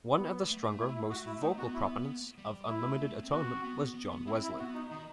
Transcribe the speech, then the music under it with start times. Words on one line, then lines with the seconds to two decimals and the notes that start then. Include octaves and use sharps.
One of the stronger, more vocal proponents of Unlimited atonement was John Wesley.
0.15 B3
0.43 G3
0.47 A3
0.79 E4
0.95 E4
1.10 A3 F#4
1.26 E4
1.41 A3 D#4
1.57 B3 F#4
1.74 E4
2.38 G3
2.68 A3 E4
3.23 C4
3.32 B3 F#4
3.48 C4
3.63 B3
3.95 B3
4.11 B3
4.26 C4 E4
4.43 E4
4.58 B3 F#4
4.74 D#4
4.90 D#3 D#4